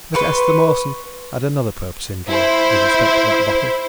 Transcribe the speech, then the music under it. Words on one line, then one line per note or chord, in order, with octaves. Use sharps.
But Esther Mawson had another purpose in view, with respect to that bottle.
B4 C6 C#6
E4 C5